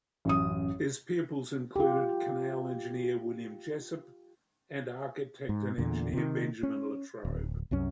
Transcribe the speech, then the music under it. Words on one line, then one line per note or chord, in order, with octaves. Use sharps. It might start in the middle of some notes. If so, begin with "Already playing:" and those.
His pupils included canal engineer William Jessop and architect and engineer Benjamin Latrobe.
A1 F#2 D#6
F4 G4
G#2
E2 A#2 D3
C3 D#3
C#4
D1
C2 F#2 C#4